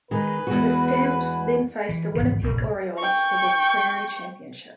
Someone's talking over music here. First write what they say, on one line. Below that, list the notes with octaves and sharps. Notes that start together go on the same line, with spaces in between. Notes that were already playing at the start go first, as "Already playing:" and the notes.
The Stamps then faced the Winnipeg Orioles for the Prairie championship.
D#3 G#3 B4
E2 G#3 F#4
E3
G#1 E2 C#3 E3
F1 A#1 E2 G2
G5 C#6